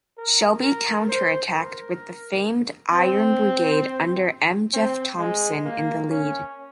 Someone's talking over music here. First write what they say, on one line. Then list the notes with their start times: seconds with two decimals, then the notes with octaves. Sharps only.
Shelby counterattacked with the famed Iron Brigade under M. Jeff Thompson in the lead.
0.18 A#4
0.63 A#4
1.09 C5
1.54 A#4
2.91 C4
4.73 C4
5.19 G#3
5.65 A#3
6.10 C#4